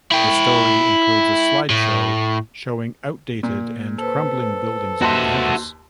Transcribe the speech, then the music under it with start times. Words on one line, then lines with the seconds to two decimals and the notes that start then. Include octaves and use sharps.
The story includes a slideshow showing outdated and crumbling buildings on campus.
0.12 E4 G5
1.70 A2
3.43 A#2
3.98 A4 B4 C5
5.01 D#2 F#4 E5 A5 C6